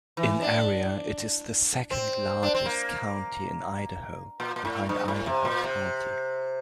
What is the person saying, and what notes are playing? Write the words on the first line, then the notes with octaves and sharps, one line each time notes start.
In area it is the second-largest county in Idaho, behind Idaho County.
E3
D4
C4
D4
C4
A#3
A#2
A#2
A2
G2
A2
C3
A#2
C3